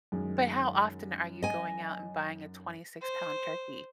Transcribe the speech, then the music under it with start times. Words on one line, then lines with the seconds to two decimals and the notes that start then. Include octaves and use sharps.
But how often are you going out and buying a twenty-six-pound turkey?
0.12 F#2 D#3 G#3
1.42 D#5 G#5
3.02 C5